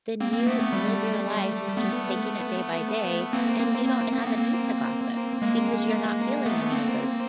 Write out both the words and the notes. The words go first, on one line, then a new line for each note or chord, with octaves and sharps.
Then you live your life just taking it day by day, and you don't have a need to gossip, because you're not feeling any of those,
A#3 C4
A#3 C4
A3 B3
A3 B3
G3 A3
A3 B3
A#3 C4
A#3 C4
A#3 C4
C4
B3
A#3 C4
A#3 C4
G#3 A#3
A3 B3
B3
A#3 C4